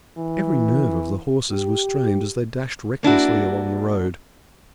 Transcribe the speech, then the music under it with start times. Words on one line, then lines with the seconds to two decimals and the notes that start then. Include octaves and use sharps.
Every nerve of the horses was strained as they dashed recklessly along the road.
0.17 E3
1.50 G4
3.03 A#3 D4 E4 F#4